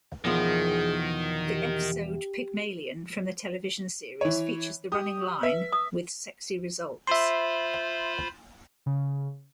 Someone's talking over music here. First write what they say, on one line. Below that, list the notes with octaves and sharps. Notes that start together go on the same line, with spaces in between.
The episode "Pygmoelian" from the television series features the running line "...with sexy results".
E2 B2 D#3 F3 G#4
G4
E3 C#5
G4 D#6
B4 E5
D#6
F4 C5 E5 B5 C6
C#3